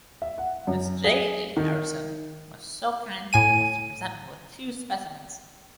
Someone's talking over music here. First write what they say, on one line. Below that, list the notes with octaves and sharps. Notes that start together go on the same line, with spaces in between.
Miss J. E. Harrison was so kind as to present me with two specimens.
E5
F#5
F#2
G#4
D#3
A2 G#5 D#7